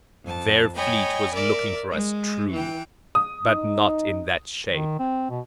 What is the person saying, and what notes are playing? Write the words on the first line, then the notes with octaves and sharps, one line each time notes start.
Their fleet was looking for us, true, but not in that shape.
F2 A5
C#5 D#5 G5 G#5 B5
A#4 D5 E5
G#3
E3 G5
D#6
D#4
D#3
C4
B2